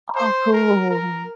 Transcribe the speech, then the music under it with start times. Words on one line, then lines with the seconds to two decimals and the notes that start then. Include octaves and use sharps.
Oh, cool.
0.16 C5
0.53 A#4
0.90 A#4